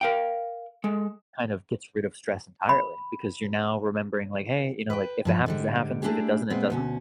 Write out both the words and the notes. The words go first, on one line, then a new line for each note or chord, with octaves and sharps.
kind of gets rid of stress entirely because you're now remembering, like, "Hey," you know, like, "If it happens, it happens. If it doesn't, it doesn't."
A#4 F5 G5
G#3 A4
B5
B4 G5
G2 F3 B4
G#2 D3 G3
A3 B3 D4 E4 G4 G#4
A#2 G#3 B3 C4
D2 B2 C#4